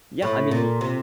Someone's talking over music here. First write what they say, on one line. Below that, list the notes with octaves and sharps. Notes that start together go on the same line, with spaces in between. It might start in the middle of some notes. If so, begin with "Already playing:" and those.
Yeah, I mean
A2
A#2
C3